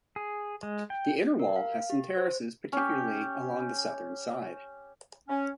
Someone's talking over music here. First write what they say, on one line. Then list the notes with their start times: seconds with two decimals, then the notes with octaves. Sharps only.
The inner wall has some terraces, particularly along the southern side.
0.16 G#4
0.63 G#3
0.90 G5
1.39 A#4
1.56 F5
1.90 G4
2.17 C5
2.73 C#4 G4
5.28 C#4